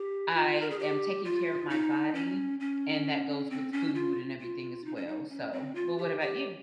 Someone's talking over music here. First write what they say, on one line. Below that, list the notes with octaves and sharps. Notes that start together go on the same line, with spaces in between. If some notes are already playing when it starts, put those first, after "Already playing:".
I am taking care of my body, and that goes with food and everything as well, so But what about you?
Already playing: G4
F4
A#4
G#4
G4
F4
D#4
C#4
C#4
C4
C#4
F4
F4
D#4
C#4
D#4
C#4
C4
F4
G4
G4